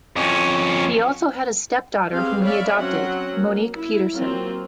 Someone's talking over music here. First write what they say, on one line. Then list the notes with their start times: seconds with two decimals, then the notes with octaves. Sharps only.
He also had a stepdaughter whom he adopted, Monique Petersen.
0.16 F2 C#4
2.11 B3 C4 G4 G#4 F5
2.44 C#5 D5 E5 F5 B5
2.78 F#3 C4 C#4 F#5
3.35 A#3
3.77 E4
4.13 F#3 A#3 C4 F4